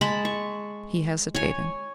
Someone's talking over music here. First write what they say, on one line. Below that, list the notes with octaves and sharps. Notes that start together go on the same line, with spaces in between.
He hesitated.
G#3 A5 B5
C#6
C#5 G#5